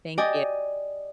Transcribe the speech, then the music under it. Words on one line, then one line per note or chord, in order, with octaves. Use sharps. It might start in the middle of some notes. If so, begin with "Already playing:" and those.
Thank you.
G4 D5 D#5 G#5